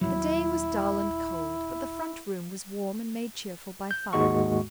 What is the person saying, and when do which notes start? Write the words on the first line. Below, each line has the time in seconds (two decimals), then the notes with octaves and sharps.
The day was dull and cold, but the front room was warm and made cheerful by fire.
0.01 D#1 C#2 F#3 E4
3.91 G6
4.13 D#2 G#2 G#3 F#4 C#6